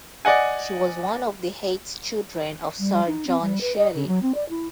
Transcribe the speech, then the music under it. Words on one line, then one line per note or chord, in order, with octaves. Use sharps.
She was one of eight children of Sir John Shirley.
D5 D#5 F#5 G#5
G3
D#4
C4
G3
B4
D#5
C#3
F#3
C4
D5
E4